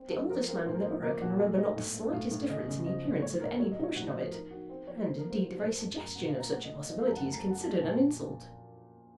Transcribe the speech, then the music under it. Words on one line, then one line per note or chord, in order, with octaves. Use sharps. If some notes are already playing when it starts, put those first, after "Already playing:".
The oldest man in the borough can remember not the slightest difference in the appearance of any portion of it; and, indeed, the very suggestion of such a possibility is considered an insult.
Already playing: C4
F#3 A4
F3 A#4
C4 A#4
A2 C5
A#4
C5
F3
A#3 A#4
A#2 F#4
A3 A4
A3 D#5
A2
A3
A2 F5
A2
C#3 D#5
C#3
F3 D#5
A2
A3 C#5
A2 A#4
F#3 C#5
D#5
C3
C#5
A2 F#4
F3
D#3 A#4
D#3 F#4
C4
F3 C#5
A3 C5
A#4
A3
C5
F#3 C5
C5
A2
A#4
F#2 A5
F#2 A#5
A#2 F#5
F5
A#2
A#5
A3 F#5
D#5
A3
C#5
F3 D#5
F5
F#2 A5 A#5
F#5
A3 A5
A#5
A5
F#3
F#5
F3 A5
A#2 A5